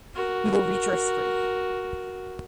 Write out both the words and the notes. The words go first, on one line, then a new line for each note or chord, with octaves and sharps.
We will reach our spring.
F#4 A#4